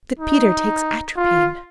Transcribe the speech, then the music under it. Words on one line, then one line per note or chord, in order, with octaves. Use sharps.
'That Peter takes atropine.'
D#4
F4